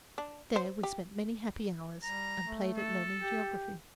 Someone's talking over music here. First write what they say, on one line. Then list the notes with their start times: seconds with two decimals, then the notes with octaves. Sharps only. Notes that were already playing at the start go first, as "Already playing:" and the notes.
There we spent many happy hours and played at learning geography.
0.18 D4
0.56 C5
0.83 G4
2.03 G3 A#5
2.43 A3
2.77 A4
3.21 G4